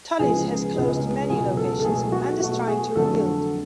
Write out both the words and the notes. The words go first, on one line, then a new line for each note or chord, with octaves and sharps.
Tully's has closed many locations and is trying to rebuild.
C#2 C#3 F3 G#3 B3 G#4
C#2 C#3 G#3 B3
C#2 B2 F#3 G#4
A4
A4
B2 F#3 A3 G#4
F#4
B2 A3 F#4
G#4
F2 D3 F#3 A3 A4